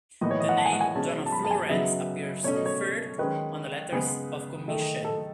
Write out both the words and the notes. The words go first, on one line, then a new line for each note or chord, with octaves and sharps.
The name "John of Florence" appears third on the letters of commission.
A2 E3 B3 D#4 D#5
C#5
D#5
F#5
A5
G#5
F#5
G#5
B2 G#3 C#4 A5
A5
B5
A5
G#5
C#3 F#3 B3 D#4 E5
B2 A3 C#4 C#5
D#5
C#5
D#3 G#3 C#4 B4
C#3 G#3 B3 G#4
D#3 A3 D#4
A4